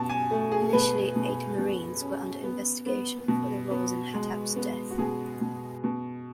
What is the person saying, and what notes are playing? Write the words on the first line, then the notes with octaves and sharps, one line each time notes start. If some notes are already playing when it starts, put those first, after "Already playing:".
Initially eight Marines were under investigation for their roles in Hatab's death.
Already playing: B2 A5
G#5
A3
G#4
B2 B4
B2
B2
C#4
B3
B3
B2
B3
G#3
B3
F#4
B2 G#4
B2
B2